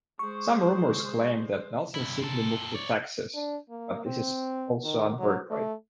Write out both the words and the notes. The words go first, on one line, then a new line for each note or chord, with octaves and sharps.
Some rumors claim that Nelson simply moved to Texas, but this is also unverified.
G#3 C5 C#6
G2 E4
A#2 A4
C#5 D5
D4
A#3
C4
D#3
F#3
A3